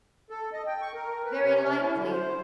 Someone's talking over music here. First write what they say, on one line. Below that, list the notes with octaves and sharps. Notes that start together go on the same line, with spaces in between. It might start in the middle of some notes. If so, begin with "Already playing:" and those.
Very likely.
A4
D#5
G5
C#6
A#4
B4
C3
C3
E4
D3
C5